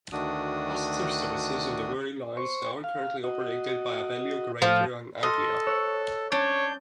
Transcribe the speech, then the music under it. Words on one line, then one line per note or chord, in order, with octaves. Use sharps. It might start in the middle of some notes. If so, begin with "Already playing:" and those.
Passenger services on the Wherry Lines are currently operated by Abellio Greater Anglia.
D2 D#3 A3 D4 F#4 D#6
C5 C#6
F5
F#4 D#5
A2 F3
A4 D#5 C6 F6
C#5 E6 F#6
C#4 D4 C#5 G6